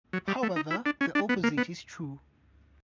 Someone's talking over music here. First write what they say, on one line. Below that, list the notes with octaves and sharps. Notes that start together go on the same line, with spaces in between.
However, the opposite is true.
F#3
G3
A3
D#4
E4
D4
C#4
D4
B3
A#3
B3